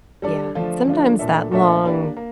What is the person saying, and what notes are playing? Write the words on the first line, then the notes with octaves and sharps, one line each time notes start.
Yeah. Sometimes that long
G3 D4 A4 D5
D3 F3 A3 D4 F4
D3 F3 A3 D4 F4
A#2 A3 D4 A4 E5
A#2 A3 D4 A4 E5
A#3 D4 G4 D5
A#3